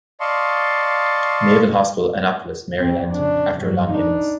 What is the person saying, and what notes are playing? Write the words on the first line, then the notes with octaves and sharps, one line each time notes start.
Naval Hospital, Annapolis, Maryland, after a long illness.
D5 D#5 F5 A5 C6 C#6
F2 C4
C#3 D4
G2 F#3
D4 D#4